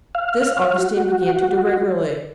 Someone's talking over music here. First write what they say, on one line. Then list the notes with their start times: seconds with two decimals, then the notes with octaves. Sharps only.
This Augustine began to do regularly.
0.15 F5
0.78 F#4